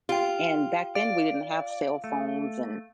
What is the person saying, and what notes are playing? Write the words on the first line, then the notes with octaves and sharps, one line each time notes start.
And back then, we didn't have cell phones and,
F4 G4 G5
D5 F5
A3